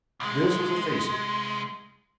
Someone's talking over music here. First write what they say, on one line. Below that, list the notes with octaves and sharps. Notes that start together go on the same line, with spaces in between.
This was a facer.
C2 G#3